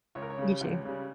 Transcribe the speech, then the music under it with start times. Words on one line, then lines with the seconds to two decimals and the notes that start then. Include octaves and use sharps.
You too.
0.15 C#2 C#5
0.22 A#4
0.30 C#5
0.38 C#3 G3
0.61 C#2
0.85 C#3 G3